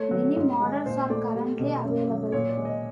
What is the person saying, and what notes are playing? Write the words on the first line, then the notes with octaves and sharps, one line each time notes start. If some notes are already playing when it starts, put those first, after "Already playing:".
Many models are currently available.
Already playing: A3 C#5
F#3
G#2
G#3
A#2 C5
A3 D5
G3
B2
F#2
F#3
A#2 C#5
D5
G#3
D#5